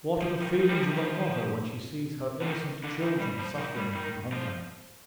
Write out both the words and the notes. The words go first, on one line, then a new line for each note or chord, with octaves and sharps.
What are the feelings of a mother when she sees her innocent children suffering from hunger!
F3
D#3
D#3
G3
F3
D#3
F3
D3
D#3
D3
D#3
G3
F3
D#3
G3
D#3
F3